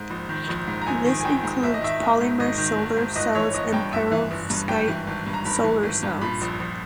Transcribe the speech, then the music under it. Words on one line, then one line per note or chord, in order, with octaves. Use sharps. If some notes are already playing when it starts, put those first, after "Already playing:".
This includes polymer solar cells and perovskite solar cells.
Already playing: G#2
A#1
D#3
A#1
G#2
A#5
A#1 G#5
D#3
G#5
A#1 G5
G#2
G#1 E5
D#5
D#3 E5
G#1
G#2
G#1 D#5
D#3
G#1
G#2
G1 D#5
E3 C#5
G1 D#5
G2 G5
G1 E5
E3
G1
G2
G#1 G5
E3
G#1
G2
A#5
G#1 B5
E3
G#1
G2
A#2 B5
A#1
A#1